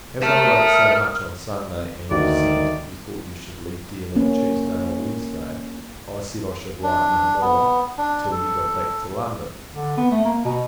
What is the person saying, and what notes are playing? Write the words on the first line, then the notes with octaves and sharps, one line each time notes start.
As I wrote so much on Sunday, and you said--you thought you should leave Deal on Tuesday or Wednesday, I said--I should write no more till you got back to London.
A#4 E5 A5 D#6 F6
D2 D#3 F#4 D5
A#3 C#4
D4
B3
D4
A4
D3
B3
A3
A#3
B2